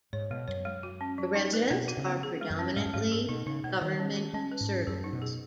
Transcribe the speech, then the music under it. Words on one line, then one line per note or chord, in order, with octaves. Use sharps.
The residents are predominantly government servants.
G#2 C#5
B2 G#3
F#2 C#5
G#3
F#4
C#4
F#3
D#4
B4
B2 B3
F#4
C#3
B3
G#4
G#3
F#2
C#4
G#2 G#3
F#2
G#2 G#3
G#4
B2 D#4
C#3 D#4
B2 B3
D#3 C#5
C#4
F#4
G#3 C#4
B4
G#2
C#4
F#2 G#4
D#4
B2
G#4